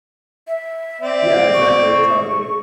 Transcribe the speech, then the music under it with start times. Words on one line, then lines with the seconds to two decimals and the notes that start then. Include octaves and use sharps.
Yeah, exactly, it's already
0.47 E5
1.01 C4 D5
1.54 C#6